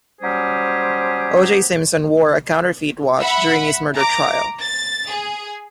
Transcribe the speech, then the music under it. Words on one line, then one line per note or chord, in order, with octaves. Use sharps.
O. J. Simpson wore a counterfeit watch during his murder trial.
F#3 G3 C#4 G4 G#4 C5
E5 F#5 B5
A#5 D6
A6
G#4